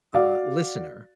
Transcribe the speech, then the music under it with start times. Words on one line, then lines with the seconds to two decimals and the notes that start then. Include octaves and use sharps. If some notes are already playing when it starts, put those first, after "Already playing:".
uh, listener?"
0.14 F#4 D5 F5